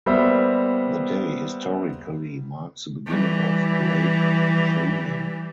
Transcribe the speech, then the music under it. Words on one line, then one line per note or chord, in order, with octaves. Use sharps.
The day historically marks the beginning of grape pruning.
G3 A#3 B3 C5 E5
E3 G3